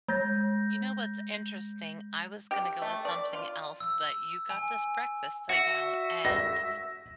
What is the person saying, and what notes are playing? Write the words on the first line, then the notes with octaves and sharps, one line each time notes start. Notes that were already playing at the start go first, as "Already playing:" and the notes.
You know what's interesting? I was gonna go with something else, but you got this breakfast thing out and
G#3 G6 A#6
G4
A3
D5
F4
E6
G#5
F#4 E5
A#6